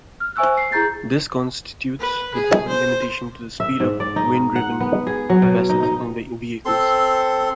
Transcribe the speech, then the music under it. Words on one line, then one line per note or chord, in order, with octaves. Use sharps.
This constitutes the main limitation to the speed of wind-driven vessels and vehicles.
F6
C5 E5 G#5 C#6 E6 F#6
C7
E4 G#4 A#5 G6 A6
B4
G#4
C5
E5
G#2
D5
D#4
F#5
B3
G#4
F#3
B2
D#4
D#4
C4 A4 C6